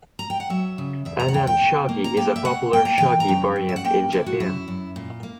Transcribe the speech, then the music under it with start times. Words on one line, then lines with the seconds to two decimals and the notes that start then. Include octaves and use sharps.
Annan shogi is a popular shogi variant in Japan.
0.19 A#5
0.30 G5
0.40 F#5
0.50 F#3 E5
0.78 C#3
1.05 E2 E5
1.19 A#5
1.28 F#5
1.33 E2 G5
1.47 G5
1.61 B2
1.89 A#3
2.04 A#5
2.17 A#3 G5
2.36 E5
2.45 B2 F#5
2.73 A#3 G5
2.85 A#5
2.98 E3 G5
3.20 A#5
3.28 F#2 G5
3.56 F#2
3.69 E5
3.76 F#5
3.84 A#3 G5
4.12 D3 E4
4.26 F#4
4.40 F#2 E4
4.68 F#2
4.96 A#2
5.23 A#3